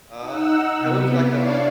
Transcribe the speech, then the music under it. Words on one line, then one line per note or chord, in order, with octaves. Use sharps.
Uh, Katt Williams like a
D#4 F#5 E6
C3 B3
D4 E4 C#5 D5 F5